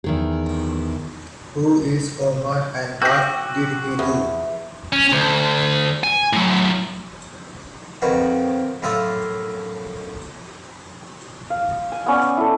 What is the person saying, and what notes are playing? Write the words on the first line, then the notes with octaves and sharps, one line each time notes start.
Who is Omar and what did he do?
E2 D#3 G#4
F#4 G5 D6 E6 G6 A#6
E2
C#4
D2
G#5
A2 F#3
F2 D#3 F#4 B4
F#2 A2 F4 D5 E5 D#6
F5
G#5
B3 C#4 D5
E4 A4